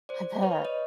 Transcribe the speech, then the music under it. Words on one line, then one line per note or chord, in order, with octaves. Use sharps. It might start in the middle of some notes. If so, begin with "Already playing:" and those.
I bet.
C5 D5
B4 C#5
C#5 D#5